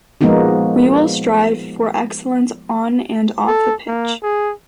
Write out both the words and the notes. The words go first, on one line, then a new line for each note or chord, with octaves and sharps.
We will strive for excellence on and off the pitch.
F3 G#3 A#3 B3 D#4 F#4
A4
A#3
G#4